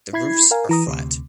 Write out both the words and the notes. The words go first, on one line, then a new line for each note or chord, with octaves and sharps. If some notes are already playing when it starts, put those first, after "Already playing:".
The roofs are flat.
E4 B5 G#6 C7
A#4 F5 G#5
E3 A#5 D#6
D2 C3